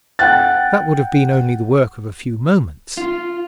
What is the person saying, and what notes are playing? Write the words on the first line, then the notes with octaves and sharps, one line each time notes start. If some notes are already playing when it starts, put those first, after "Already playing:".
That would have been only the work of a few moments.
F#5 G5 F#6 A6
F4